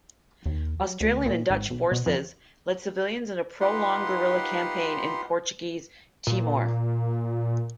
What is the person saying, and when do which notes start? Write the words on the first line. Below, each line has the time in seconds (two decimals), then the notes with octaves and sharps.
Australian and Dutch forces led civilians in a prolonged guerilla campaign in Portuguese Timor.
0.46 D#2
0.80 F#3
1.00 D2
1.26 A#2
1.50 G#1
1.70 B1
1.92 B2
2.06 F2
3.60 D#4 F4 G4 B4 F#5 C6
6.27 A#2